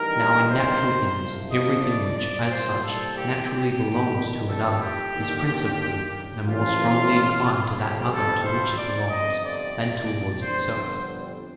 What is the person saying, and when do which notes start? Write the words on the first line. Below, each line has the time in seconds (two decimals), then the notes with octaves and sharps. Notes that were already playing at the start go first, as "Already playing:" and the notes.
Now, in natural things, everything which, as such, naturally belongs to another, is principally, and more strongly inclined to that other to which it belongs, than towards itself.
Already playing: A1 G2 D#3 G3 A#4
0.51 C5
1.17 C2 C3 F3
1.50 D#5
1.83 D5
2.16 D5
2.49 C2 A#2 G3 C5
2.82 A4
3.15 G4
3.48 G4
3.81 F2 D#3 G3
4.48 A4
4.80 G4
5.14 D#2 D3 F3
6.46 A1 A2 F3 F4
7.77 G1 F2 C3 G3 G4
8.11 A4
8.44 C5
8.76 D5
9.10 G1 F2 C3 D#5
9.43 D5
10.42 G1 F2 D3 G3 C5
10.75 C5